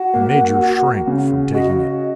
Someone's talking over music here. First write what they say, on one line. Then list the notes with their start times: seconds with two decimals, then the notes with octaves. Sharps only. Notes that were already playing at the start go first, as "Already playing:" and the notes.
The Major shrank from taking it.
Already playing: F#4 F#5
0.14 A#3
0.60 F#4
1.07 C#3
1.54 F#4 D#5